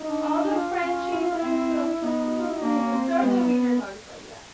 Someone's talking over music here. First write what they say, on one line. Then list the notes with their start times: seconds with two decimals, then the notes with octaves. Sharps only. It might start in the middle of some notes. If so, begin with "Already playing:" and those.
All the Frenchies are so cute. They're the wiener dogs, though. Yeah.
Already playing: D#4
0.08 D4
0.22 D4
0.52 F4
0.82 C#4
1.12 E4
1.22 F4
1.32 E4
1.42 C4
2.02 B3 D#4
2.39 F4
2.47 E4
2.54 D#4
2.62 A#3 D4
2.76 C#4
2.92 C4
3.22 G#3 B3
3.32 G3
3.42 F#3